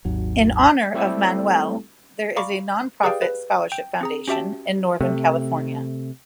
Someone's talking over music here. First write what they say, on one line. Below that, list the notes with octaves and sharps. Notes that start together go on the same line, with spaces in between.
In honor of Manuel, there is a non-profit scholarship foundation in Northern California.
G#1 D#2 F#3
G3 A3 C4 E4 G4 A4
D5 F5 A#5 B5 C#6 D6
G4 G#4 B4 D5 F5 G5
B4
G5
C4 G#4 A#5
C#4 F#4 G4 E5 G5 A5
C3 A3